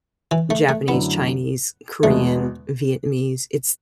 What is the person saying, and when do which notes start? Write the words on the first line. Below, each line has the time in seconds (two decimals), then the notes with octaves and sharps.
Japanese, Chinese, Korean, Vietnamese, it's
0.31 E3
0.50 A3
0.69 A3
0.88 F#2 D3 A3 B3 E4
2.03 E2 B2 G#3 A3 B3